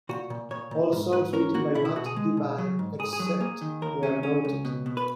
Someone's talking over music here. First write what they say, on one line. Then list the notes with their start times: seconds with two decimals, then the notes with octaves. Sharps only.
All songs written by Mat Devine, except where noted.
0.09 A#2 F#4
0.30 A#2
0.51 A#2 C#5
0.71 A#2
0.92 G#2
1.13 G#2 B4
1.33 C#4 A#4
1.54 A#3 F#4
1.74 B2 E4
1.85 E4
1.96 B2 F#4
2.06 G#4
2.16 G#3
2.37 B2
2.58 F#3
2.79 G#2
2.99 G#2 G#4
3.13 G#4
3.20 F#3
3.27 G#4
3.40 A#3 G#4
3.61 D#3
3.82 D#2 A#4
4.03 C#4
4.23 C#4
4.45 C#2
4.65 B2
4.86 B2
4.97 B4